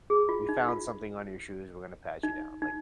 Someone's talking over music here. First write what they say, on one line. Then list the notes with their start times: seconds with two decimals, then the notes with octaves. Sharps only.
we found something on your shoes, we're gonna pat you down," like
0.10 G#4
0.29 F4
0.49 D#4
0.68 F4
2.23 D#4
2.62 D#4